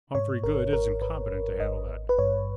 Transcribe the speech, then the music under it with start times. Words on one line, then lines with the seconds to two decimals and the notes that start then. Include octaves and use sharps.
Humphrey Goode isn't competent to handle that.
0.15 G#2 C#5
0.44 G#1 A#4
0.73 G#1 A#4
1.01 G#1 B4
1.31 G#1
1.60 G#1 D#5
1.89 G#1
2.09 B4
2.19 G2 C#5